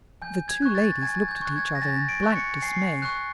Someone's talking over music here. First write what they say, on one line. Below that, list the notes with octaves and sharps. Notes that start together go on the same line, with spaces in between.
The two ladies looked at each other in blank dismay.
G#5 G6
G#6
C#6 F#6
A6
G#5 G#6
G6
C#6 F#6
G#6
A#6
G#5 A6
D7
C#6 F#6
C#7
G#5 C7
C#6 F#6